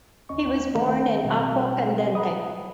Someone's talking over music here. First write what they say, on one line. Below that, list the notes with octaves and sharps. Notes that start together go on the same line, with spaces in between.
He was born in Acquapendente.
G1 D#2 C#4 D#5 C#6
B1 D#3 A3 D#5 A#5
B2 G3 C4 F#4
B4 F#5 A#5 B5 D#6